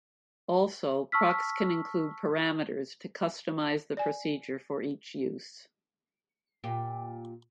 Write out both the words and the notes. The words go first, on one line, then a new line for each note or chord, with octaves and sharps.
Also, procs can include "parameters" to customize the procedure for each use.
A5 C#6 E6 F6 B6
D5 G#5
A#2 G4